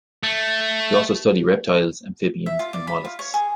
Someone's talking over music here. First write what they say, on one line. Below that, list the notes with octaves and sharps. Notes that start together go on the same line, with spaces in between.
He also studied reptiles, amphibians, and molluscs.
A3
E5
F4
D5
B5
F4
C#5
G#4